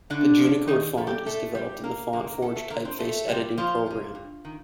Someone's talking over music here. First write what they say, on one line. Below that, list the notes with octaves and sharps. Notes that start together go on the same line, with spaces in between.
The Junicode font is developed in the FontForge typeface editing program.
A2 D3 D4
F3
A2 D#3 D#4
F3 A4
G3 G4
A2 A3 A4
F3 G3 G4
F2 A#3 A#4
D3 F3 A#3 A#4
A#4
F2 A3 A4
A3 A4
D3 F3 A#3 A#4
C4 C5
F2 A3 A4
C3 F3 G3 G4
F2 F3 F4
C3 F3
G2
D#3